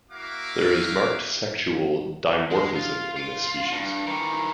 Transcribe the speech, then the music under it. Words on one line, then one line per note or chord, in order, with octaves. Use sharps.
There is marked sexual dimorphism in this species.
A#3 E4 F#4 E5 F5 D6
G#3
F4
F4
G2
D#3 E3